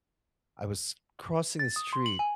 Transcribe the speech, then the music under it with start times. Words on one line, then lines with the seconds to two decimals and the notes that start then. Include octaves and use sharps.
I was crossing the street
1.59 A6
1.76 D#6
1.93 C6
2.06 F#7
2.19 G#5